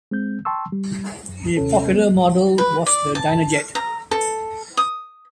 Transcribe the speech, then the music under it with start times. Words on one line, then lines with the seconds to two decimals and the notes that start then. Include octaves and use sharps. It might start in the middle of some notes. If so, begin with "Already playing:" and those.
A popular model was the "Dynajet".
0.11 G#3 C4 G6
0.45 G5 A5 C6 C#6 E6
0.72 G3
1.29 F#2
1.57 D#2 C3 C#4 A4
1.93 B3
2.58 B4
2.86 D5
3.15 A5
3.75 A#5
4.11 A4
4.77 D#6